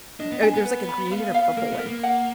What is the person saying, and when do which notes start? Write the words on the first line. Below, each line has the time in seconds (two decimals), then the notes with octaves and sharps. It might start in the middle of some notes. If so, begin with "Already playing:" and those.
uh, there's like a green and a purple one.
0.19 D4 D#5
0.32 B3
0.42 D4 G#5
0.54 B3
0.66 B4
0.89 B5
1.11 F5
1.34 F5
1.57 A#3 A#4
1.73 B3
1.79 A#4
1.87 A#3
2.03 F#5